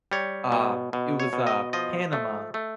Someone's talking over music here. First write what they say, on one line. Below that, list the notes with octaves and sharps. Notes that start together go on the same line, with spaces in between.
um, it was, uh, Panama,
G3 C#5
B2
B2
C#5
B2
D#5
F3 D#5
A3
A3